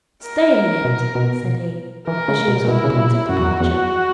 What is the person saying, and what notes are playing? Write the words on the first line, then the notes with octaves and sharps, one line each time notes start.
"Stay a minute," said he, as she was on the point of departure.
A#4
B2
B2
E3 A#4
C#3
B2
B2 E4
C#3
B2
A#2
F#2 F#4
E2
F#2
E2 F#4